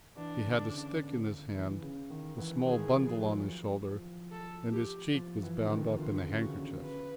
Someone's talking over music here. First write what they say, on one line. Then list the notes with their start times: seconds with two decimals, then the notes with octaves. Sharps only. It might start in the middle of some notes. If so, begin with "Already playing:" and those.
He had a stick in his hand, a small bundle on his shoulder, and his cheek was bound up in a handkerchief.
0.17 E3 D4
0.44 D3
0.72 C#3
0.95 C#3
1.00 D3
1.55 E3
1.82 C#3
2.10 D#3
2.38 E3
2.66 D#3 G#4
2.94 F3
3.21 F#3
3.90 F3
4.32 A4
4.73 G4
5.15 F3
5.43 E3
5.65 D3
5.70 D#3
5.97 D3 F4
6.25 C#3
6.39 C#3 F#4
6.53 D3
6.80 C#3 B4